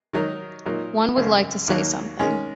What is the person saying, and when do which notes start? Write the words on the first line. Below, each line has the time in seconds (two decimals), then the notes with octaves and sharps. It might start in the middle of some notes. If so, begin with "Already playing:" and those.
One would like to say something.
0.13 D#3 F#3 D#4 A#4
0.66 A#2 F#3 D#4 A#4
1.16 G#1 F#2 C#3 A#3
1.68 D#2 D#3 F#3 A#3
2.20 D#3 G#3 C#4